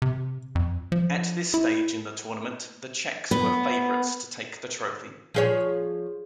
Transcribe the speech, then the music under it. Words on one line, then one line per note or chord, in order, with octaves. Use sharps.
At this stage in the tournament, the Czechs were favourites to take the trophy.
C3
F2
F3
E4
B3
F3 G#4 C#5